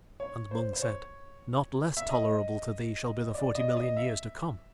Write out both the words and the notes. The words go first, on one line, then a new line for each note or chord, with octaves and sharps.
And Mung said: "Not less tolerable to thee shall be the forty million years to come!"
C#5
C5
C5
C#5
E5
D#5
D5
D#5
D5
D#5
E5